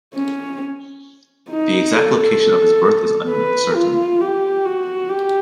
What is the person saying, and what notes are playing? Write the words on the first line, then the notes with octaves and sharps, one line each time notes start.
The exact location of his birth is uncertain.
C#4
D#4
A4
B4
F4
G4
F#4
G4